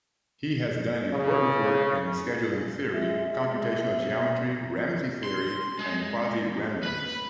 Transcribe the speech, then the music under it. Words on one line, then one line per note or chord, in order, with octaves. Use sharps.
He has done important work in scheduling theory, computational geometry, Ramsey theory, and quasi-randomness.
C#3
G#3 E5
E5
E5
B2
C6
G#3
B4 B5